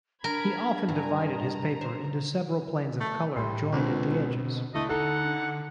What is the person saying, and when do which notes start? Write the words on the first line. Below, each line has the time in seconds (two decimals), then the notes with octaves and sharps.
He often divided his paper into several planes of color joined at the edges.
0.24 D4 A#4 A#5 B5 G#6
0.89 G2 G#5 A#5
1.24 A#5
1.81 C5
3.00 A3
3.36 A2 G3 C6
3.72 C#2 B2 D3 C4
4.75 D3 A3 E4 D#5
4.89 D#4 A4 F#5